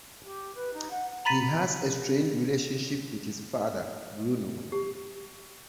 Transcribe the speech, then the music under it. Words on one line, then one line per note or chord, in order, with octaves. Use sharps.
He has a strained relationship with his father, Bruno.
G4
B4
D#4
F#5
A#5 B5 A6 B6 D#7
G4